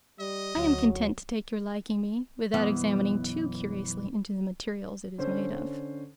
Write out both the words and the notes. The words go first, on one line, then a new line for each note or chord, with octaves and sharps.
'I am content to take your liking me, without examining too curiously into the materials it is made of.
G3 D#5
D2 F#3
B1 F#2 E3 B3
D3 C#4 C5